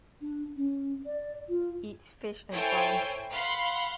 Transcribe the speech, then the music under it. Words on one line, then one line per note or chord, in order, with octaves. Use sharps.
Eats fish and frogs.
D4
C#4
D5
F4
E4 A4 C5 C#5 G5 G#5
F5 F#5 B5 C6